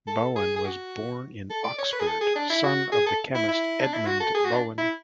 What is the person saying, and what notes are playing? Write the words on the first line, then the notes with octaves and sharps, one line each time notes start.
Bowen was born in Oxford, son of the chemist Edmund Bowen.
A4
G#4
G#4
F#4
A4
D5
C#5
B4
G#4
A4
G#4
D4
E4
F#4
G#4
A4
E4
E4
D4
E4
F#4
A4
G#4
F#4
D4
E4